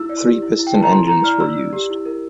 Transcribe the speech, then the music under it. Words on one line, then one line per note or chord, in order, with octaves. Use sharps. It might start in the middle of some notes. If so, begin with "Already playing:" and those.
Three piston engines were used.
Already playing: E4 E6
D5
G4
E4
E4
G5
E4 A5
A#5
E4 C6
E4 A#5
D5 F6
D5 E6
D5
G4
E4
A#4